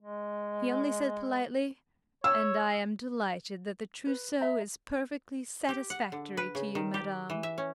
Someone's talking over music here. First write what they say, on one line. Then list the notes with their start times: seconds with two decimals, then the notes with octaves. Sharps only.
He only said politely, "And I am delighted that the trousseau is perfectly satisfactory to you, madame."
0.01 G#3
2.24 C#5 E6
4.06 B4
4.41 E5 A#5
5.69 G4
5.90 F#5
6.12 D3
6.37 B4
6.55 C#3
6.75 D#3
6.94 G4
7.30 E3
7.43 E5
7.58 C#4